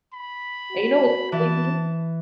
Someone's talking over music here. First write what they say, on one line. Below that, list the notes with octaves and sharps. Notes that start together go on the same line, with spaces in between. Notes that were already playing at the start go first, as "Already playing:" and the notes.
And you know what's crazy?
B5
F#4
E3 A5